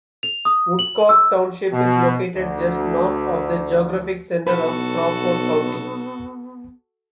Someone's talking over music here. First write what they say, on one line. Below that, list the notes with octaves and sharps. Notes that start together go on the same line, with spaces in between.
Woodcock Township is located just north of the geographic center of Crawford County.
F7
D#6
F#7
E6
B2
D2
B1 B3 F#4 A4 B4